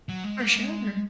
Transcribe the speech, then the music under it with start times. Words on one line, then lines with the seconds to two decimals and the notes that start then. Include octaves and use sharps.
For sure.
0.09 F#3
0.24 G#3
0.40 A#3
0.55 G#3